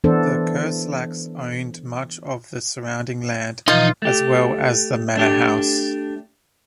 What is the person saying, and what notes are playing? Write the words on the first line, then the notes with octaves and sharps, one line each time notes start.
The Kerslakes owned much of the surrounding land as well as the manor house.
E3 B3 D4 A4 C5
B2 E3 F3 D#4 F4 D#5
A3 G4
A3 D4 G4